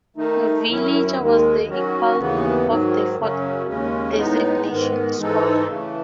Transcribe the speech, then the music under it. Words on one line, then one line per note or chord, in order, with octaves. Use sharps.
Villager was the equal of the Ford designation "Squire".
D#3 A3 D#4
F#2 D#3 F#3 C#4 E4
D#2 D#3 G#3
D#3 F#3 C#4 F#4
D#2 C#3 E3 B3
G#2 D#3 F#3
F#2 C#3 F#3 C#4
D#2 C#3 G#3 C#4
A2 G#3 B3 D#4
G#2 D#3 G#3 B3
G#2 E3 G#3 D#4 A4
C#3 E3 A3